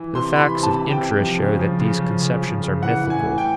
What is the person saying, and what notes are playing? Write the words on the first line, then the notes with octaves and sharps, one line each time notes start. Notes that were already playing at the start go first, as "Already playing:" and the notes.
The facts of interest show that these conceptions are mythical.
Already playing: E3
C3 C6
E3 B5
C3
A5
E3
G5
C3
F3
C#3
F3
C#3
F3
C#3
F3
C#3
E3 F#5
A2
G#5
E3
G5